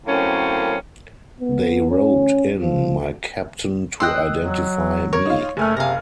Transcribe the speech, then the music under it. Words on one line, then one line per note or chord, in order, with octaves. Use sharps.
They roped in my captain to identify me.
F#2 A2 A#3 C4 C#4
B3
C#4
F3
D#5 G5 C6 E6 F#6
F#3
A#4 C#5
D#4 F4
F#1 A3 G#5 F6
C3 F5 A#5